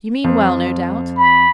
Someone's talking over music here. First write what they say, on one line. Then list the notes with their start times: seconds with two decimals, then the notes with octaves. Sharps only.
'You mean well, no doubt.
0.24 F2
1.17 B5